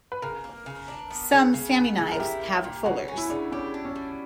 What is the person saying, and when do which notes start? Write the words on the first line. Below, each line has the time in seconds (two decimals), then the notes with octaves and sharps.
Some "Sami knives" have fullers.
0.12 B4
0.22 C#3 A#4
0.44 A#3
0.66 C#3
0.88 D4
1.10 B3
1.32 C#3
1.54 C#3
1.76 B3
1.98 C#3
2.12 A#4
2.20 E4 G4
2.41 A#3
2.64 A#2
2.85 C#3 F#4
3.08 C#4
3.18 E4
3.30 C#3 D4
3.52 C#4 G4
3.74 D4
3.85 C#4
3.95 G3